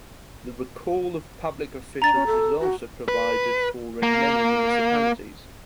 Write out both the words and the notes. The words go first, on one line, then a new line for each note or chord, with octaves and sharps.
The recall of public officials is also provided for in many municipalities.
D4 A#5 A6
C#4
A4
F#4
B4
A#3